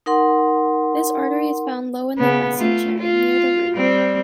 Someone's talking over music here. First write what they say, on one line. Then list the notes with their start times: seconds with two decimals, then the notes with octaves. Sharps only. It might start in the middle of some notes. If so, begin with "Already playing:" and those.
This artery is found low in the mesentery, near the root.
0.06 D#4 A#4 F#5 C6
2.18 C#3 B3
2.56 A3 F4
2.99 F4
3.73 G3 C4